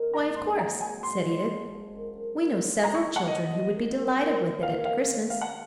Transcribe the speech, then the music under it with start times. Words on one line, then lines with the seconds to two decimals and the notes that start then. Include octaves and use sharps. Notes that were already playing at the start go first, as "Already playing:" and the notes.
"Why, of course," said Edith, "we know several children who would be delighted with it at Christmas."
Already playing: D#3 A#3 C4
0.13 G#2 A#5
0.36 G#2 C6
0.58 F#3 A#5
0.81 C4 G#5
1.03 G#2 C6
1.26 G#2
1.48 F3
1.70 C4
1.93 F#2
2.15 F#2
2.39 A#3
2.60 F4
2.83 F3 A#5
2.95 C#6
3.05 F3
3.16 F#5
3.28 F3 D#5
3.51 C4
3.73 F#2
3.95 F#2
4.18 A#3
4.40 F4
4.63 D#3 F5
4.85 D#3 F5
5.07 C4
5.30 F#4 F5
5.42 F#5